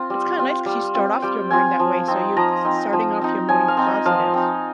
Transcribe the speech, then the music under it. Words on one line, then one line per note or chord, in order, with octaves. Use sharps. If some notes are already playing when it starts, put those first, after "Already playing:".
It's kinda nice 'cause you start off your morning that way, so you're s starting off your morning positive.
Already playing: C4 F4
G3
C4 F4
G3
C4 F4
G3 G5
C4 F4 G#5
F3
C4 D#4
F3 A#5
C4 D#4
F3
C4 D#4
F3 G#5
F5
C4 D#4
D#5
F3 F5
C4 D#4